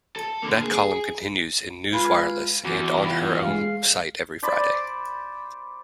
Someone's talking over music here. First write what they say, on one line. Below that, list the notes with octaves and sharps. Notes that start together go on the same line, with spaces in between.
That column continues in "NewsWireless" and on her own site every Friday.
A4
D3 A#3
G#4
G#3 F4 B4
E2 F#4
G3 F4
G#3 F5
C5 D5 B5